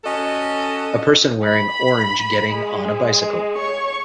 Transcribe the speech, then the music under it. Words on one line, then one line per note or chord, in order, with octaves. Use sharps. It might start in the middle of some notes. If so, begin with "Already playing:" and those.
A person wearing orange getting on a bicycle.
C#4 F#4 A4 D#5
B5
G#3
C#5 C#6